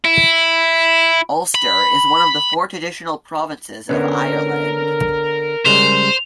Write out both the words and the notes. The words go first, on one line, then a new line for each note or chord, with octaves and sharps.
Ulster is one of the four traditional provinces of Ireland.
E4
B5
D3 B3 C#4 A#4
C#3 G3 G#3 C5 F7